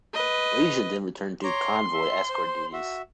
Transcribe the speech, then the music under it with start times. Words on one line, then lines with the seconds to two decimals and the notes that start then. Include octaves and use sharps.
"Legion" then returned to convoy escort duties.
0.14 B4 D#5
1.44 C#5 A#5 C6 D6
1.94 E5
2.29 C5
2.73 F#4 E5